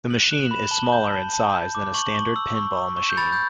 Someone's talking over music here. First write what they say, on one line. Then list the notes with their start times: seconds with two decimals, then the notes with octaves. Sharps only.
The machine is smaller in size than a standard pinball machine.
0.10 F#6 F#7
0.25 E7
0.31 F#6
0.41 F#7
0.51 B5 E7
0.68 G7
0.71 A5 F#7
0.92 G6
1.13 A5
1.33 A5
1.53 G6
1.75 D6
1.94 C#6 F#7
2.14 C#6
2.36 E6
2.56 C#6
2.77 C#6
2.97 C#6
3.10 G6
3.17 B5 A6
3.32 G6